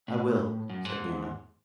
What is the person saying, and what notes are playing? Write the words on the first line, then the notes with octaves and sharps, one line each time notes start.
'I will,' said Newman.
A2
F#2
G#2